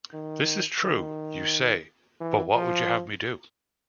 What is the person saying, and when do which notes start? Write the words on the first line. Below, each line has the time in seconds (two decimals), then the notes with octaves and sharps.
This is true, you say, but what would you have me do?
0.14 D#3
0.83 D#3
2.20 E3
2.55 F3